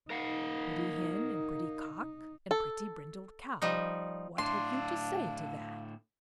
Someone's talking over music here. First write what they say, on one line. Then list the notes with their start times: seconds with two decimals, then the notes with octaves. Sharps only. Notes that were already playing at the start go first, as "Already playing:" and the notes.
"Pretty Hen, and pretty Cock, And pretty brindled Cow, What have you to say to that?"
0.10 D#4 A#4 F5 F#5
2.51 A4
3.62 F3 G3 D#4
4.38 A2 D3 D4 F5 C6